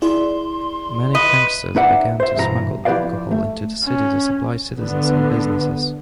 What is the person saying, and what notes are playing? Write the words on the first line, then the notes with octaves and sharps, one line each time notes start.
Many gangsters began to smuggle alcohol into the city to supply citizens and businesses.
E4 G#4 D5 C6
B4 D#5
D#4 B4 D5 E5 F#5
C5 E5
G2 B2 E3 G#4 A#5
F3 E4 G4 B4 D5 F5
A3
C#4
D3 B3